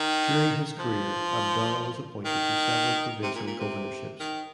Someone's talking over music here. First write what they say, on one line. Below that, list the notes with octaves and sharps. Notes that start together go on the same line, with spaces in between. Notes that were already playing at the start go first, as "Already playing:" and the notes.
During his career Abdallah was appointed to several provincial governorships.
Already playing: D#3
F3
D#3
C3
A#2
A#2
C3
D#3